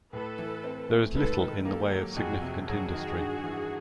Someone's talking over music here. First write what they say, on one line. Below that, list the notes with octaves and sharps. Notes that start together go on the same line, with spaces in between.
There is little in the way of significant industry.
A2 A4 B4
E3
C4
A3
G#2 A4 B4
D#3
A#3 G4 A4
F#3
F2 F#4 G#4
C3
F#3 F#4 G#4
D#3
G2
E3